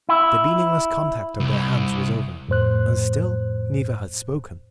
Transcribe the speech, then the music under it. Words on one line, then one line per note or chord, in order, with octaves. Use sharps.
The meaningless contact of their hands was over, and still neither had spoken.
E4
C2
F2 A2 C5 F#6